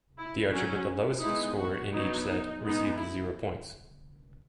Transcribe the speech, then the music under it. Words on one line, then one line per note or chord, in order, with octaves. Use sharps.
The archer with the lowest score in each set received zero points.
E4
F#3 C#4 F#4
G#3 B3 D#4 E4
F#4
F#3 B3 D#4
D#4
G#3 B3 D#4
E4